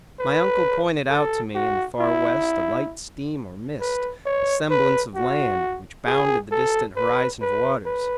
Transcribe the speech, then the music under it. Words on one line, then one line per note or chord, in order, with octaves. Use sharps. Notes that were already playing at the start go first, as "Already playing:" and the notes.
My uncle pointed out to me in the far west a light steam or mist, a semblance of land, which bounded the distant horizon of waters.
B4
A4
F#4
E4
B4
C#5
B4
F#4
G#4
A4
B4
B4
B4